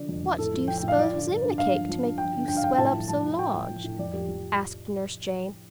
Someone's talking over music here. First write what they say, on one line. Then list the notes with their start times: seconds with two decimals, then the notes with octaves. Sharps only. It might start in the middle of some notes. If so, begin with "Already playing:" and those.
"What do you s'pose was in the cake to make you swell up so large?" asked Nurse Jane.
Already playing: D3 F3 D5
0.09 F2
0.24 F2
0.38 A2 A4
0.54 F3
0.68 F3 G5
0.78 A2 G5
0.88 F5
0.98 F3 D5
1.14 D3
1.28 G2
1.43 G2
1.58 G2 F5
1.74 F3
1.89 F3
2.03 G2
2.18 F3 G5
2.33 D3
2.48 G2 G5
2.57 F5
2.63 G2 G5
2.78 A2 A5
2.93 F3
3.08 F3 A5
3.24 A2
3.38 A2 G5
3.53 F3
3.69 F3
3.84 A2
3.99 F2 D5
4.13 F3 G4
4.28 F3